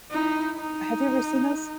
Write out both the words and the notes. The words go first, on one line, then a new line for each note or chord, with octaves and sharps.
Have you ever seen those?
D#4 E4
D#4